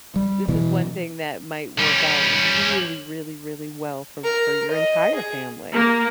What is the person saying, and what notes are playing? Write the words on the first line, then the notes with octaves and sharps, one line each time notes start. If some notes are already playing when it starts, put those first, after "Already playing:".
this is one thing that might work out really really really well for for your entire family.
G3
B2 E3
G3 C#4
A#4
D#5
G#4
A#3